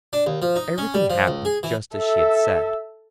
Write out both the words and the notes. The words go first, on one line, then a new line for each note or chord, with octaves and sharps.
Everything happened just as she had said.
D4
D#2
F3
D#4
C#4
G3
F3
C#2
G#4
E3
A4 E5